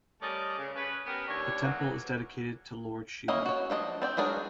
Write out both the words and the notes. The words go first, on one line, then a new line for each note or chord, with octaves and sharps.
The temple is dedicated to Lord Shiva.
G3 A3 C#4 A#4 D5 D#5
C#3
C#4 B4
B3 C#4 G4 A#4
D#2 D4 C#5
G#2 E3 F#3 A#3 B3
A#3 C#4 E4 A#4 D#5
F#4 C#5
F3 D4 A4 D#5
C4 D5 G5
F#3 G#3 D4 G#4 A#4